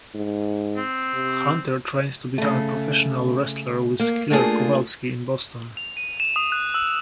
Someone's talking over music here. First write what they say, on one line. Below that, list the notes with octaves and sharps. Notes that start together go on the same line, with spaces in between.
Hunter trained to become a professional wrestler with Killer Kowalski in Boston.
G#2
C4
C3
C#3 A3
A#3
A3 A#3 D4 F4 G4 G#4
F7
D#7
E7
D#6
F#6
E6